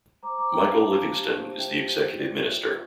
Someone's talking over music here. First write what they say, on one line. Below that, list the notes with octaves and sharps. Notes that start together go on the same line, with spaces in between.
Michael Livingston is the Executive Minister.
C5 A#5 D6
C5 A#5 D6
D4 G5 A#5
D4 F5 A5
D4
D4
G4
C5
C5
C5 E5 G5
G4
C5
F4
D5
F4
F4 E5
F4